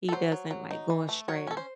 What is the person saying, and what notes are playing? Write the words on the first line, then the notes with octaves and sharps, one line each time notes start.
he doesn't, like, go astray.
A4
F#3 C5
F#3
F#3
D#4
E3
A3
F#3 C#5
C#4 A4
C5